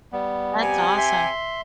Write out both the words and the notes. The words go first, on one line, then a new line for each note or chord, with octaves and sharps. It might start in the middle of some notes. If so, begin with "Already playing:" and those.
That's awesome.
G3 B3
C3 G4 G#5
E5 C6